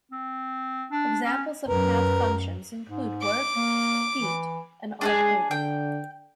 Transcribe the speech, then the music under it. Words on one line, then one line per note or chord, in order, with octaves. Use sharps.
Examples of path functions include work, heat and arc length.
C4
D4
C#4
F#2 A#4 B4
G#2
D6
A#3
E3
G#3 D4 F#4 G#4
D3 G5